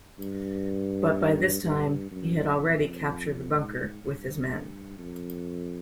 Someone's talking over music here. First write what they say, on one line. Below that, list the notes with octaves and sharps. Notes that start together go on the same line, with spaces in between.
But by this time he had already captured the bunker with his men.
G2
G2
F#2
F2
G#2
G2
F2